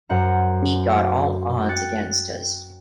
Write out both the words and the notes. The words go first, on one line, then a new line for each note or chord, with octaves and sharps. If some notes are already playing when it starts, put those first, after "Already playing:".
We got all odds against us.
F#2 C5 F#5 A#5
G5 F#6 A6 C#7